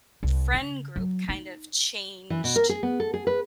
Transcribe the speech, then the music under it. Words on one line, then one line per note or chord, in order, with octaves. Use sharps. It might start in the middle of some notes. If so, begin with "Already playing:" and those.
friend group kind of changed
C2
C#3
F#3
D#4
E3
B2
A#4
G#4
B3
A4
G#4
B4